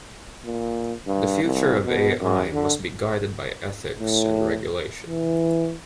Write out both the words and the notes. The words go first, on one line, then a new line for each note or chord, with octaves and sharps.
The future of A-I must be guided by Ethics and Regulation.
A#2
G2
C2
B2
F#2
D3
A2
E3